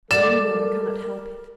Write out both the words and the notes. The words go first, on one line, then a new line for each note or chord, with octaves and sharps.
I only know I cannot help it.
G3 A4 A#4 D5 E7